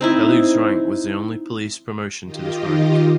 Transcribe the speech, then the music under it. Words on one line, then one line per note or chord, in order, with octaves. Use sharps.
Daluege's rank was the only police promotion to this rank.
C4 D#4 E4
D#3 F4 G4 D#5